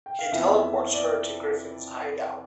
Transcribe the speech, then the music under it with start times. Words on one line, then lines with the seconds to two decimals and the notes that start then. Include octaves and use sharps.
He teleports her to Griffin's hideout.
0.06 G5
0.19 F5
0.32 F2 E3 B3 E5
0.94 D5